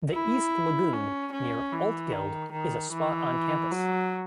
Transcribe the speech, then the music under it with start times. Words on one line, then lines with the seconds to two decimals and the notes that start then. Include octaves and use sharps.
The East Lagoon near Altgeld is a spot on campus.
0.13 E4
0.93 C#4
1.32 C#4
1.72 E3
2.13 D#3
2.52 D#3
2.92 E3
3.71 F#3